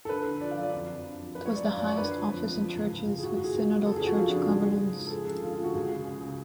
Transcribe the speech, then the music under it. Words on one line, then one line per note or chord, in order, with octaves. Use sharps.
It was the highest office in churches with synodal church governance.
A4
D3 B4
D3
F3 D5
F5
F#2
D5
F2
F2
D3
F3
F#2 B4
C#5
F#2
D5
F#2 F5
D5
F#2 C#5
D3 B4
F3
F2
F3
F3
C#2
C#2
C#2
G#4
C#2 F#4
F#4
C#2
G#4
C#2
F3
F2 A4
G#4
F2
F#4
F2 F4
D4
C#3 F4
G#2 G#4
G#2
F3
G#2
A4
F3 G#4
C#3 A4
D2 F4
F4
C#3
F#4
C#2 G#4
C#3
C#3
C#3